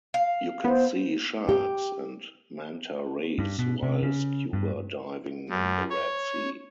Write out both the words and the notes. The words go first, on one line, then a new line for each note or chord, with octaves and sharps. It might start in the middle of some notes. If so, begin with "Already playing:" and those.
You can see sharks and manta rays while scuba diving in the Red Sea.
F5
B3 C5
G4
G2
B2
C3
C#3
G2
F#2
C#5